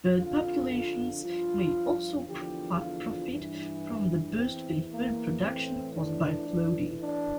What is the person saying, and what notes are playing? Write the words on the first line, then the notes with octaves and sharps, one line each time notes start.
Bird populations may also profit from the boost in food production caused by flooding.
F2 D3 F3 F4
F4
G2 F3 F4
E2 D3 F3 G4
F4
G2 E3
E2 E3 C4
A#3
A2 E3 C4
D4
A2 E3
D4